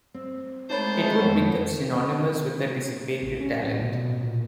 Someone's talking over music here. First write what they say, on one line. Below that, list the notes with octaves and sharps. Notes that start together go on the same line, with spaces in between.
It would become synonymous with dissipated talent.
C4
D#3 G#3 A3 D#4 C5 C#5 A5 B5
F2 G#3 B3 C#5 E5
A1
C#4
A2
B2
A#2